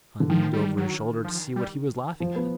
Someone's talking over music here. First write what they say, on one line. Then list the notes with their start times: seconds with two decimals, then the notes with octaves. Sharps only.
I leaned over his shoulder to see what he was laughing at.
0.20 D3
0.30 D#3 F3
0.53 G3
0.77 F#3
1.24 F3
1.56 G3
2.20 F3
2.36 B3